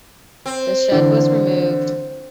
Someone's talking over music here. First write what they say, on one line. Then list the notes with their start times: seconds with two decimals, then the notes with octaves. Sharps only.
The shed was removed.
0.46 C4
0.92 D3 E3